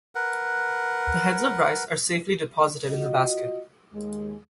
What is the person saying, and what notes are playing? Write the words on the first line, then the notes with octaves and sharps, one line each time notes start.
The heads of rice are safely deposited in the basket.
A#4 B4 F#5
F4 F#4 D#5
D#2 G#3